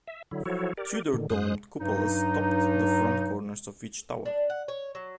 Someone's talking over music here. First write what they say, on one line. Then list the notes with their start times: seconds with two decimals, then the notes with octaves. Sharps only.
Tudor domed cupolas topped the front corners of each tower.
0.07 E5
0.31 D3 F#3 E4
0.46 F3 F#3 E4 F#4 A4 C#5
0.78 G4 A#4 D5
1.13 A2 D3 D#3
1.30 F#2 G#3 C5 D#6 F#6
1.80 G2 F#3 D#4
4.25 D4
4.50 F#5
4.68 C#5
4.95 F#3